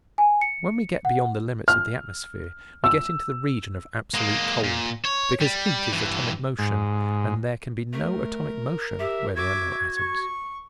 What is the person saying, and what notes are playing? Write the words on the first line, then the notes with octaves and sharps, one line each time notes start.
When we get beyond the limits of the atmosphere we get into the region of absolute cold, because heat is atomic motion, and there can be no atomic motion where there are no atoms.
G#5
C#7
F#5
F6
E6
G#3 A#3
A#2
C#5
G3
G2 E3
G#2
A3 A#4
G4 E5
F#4 E5 D6 G#6
C#6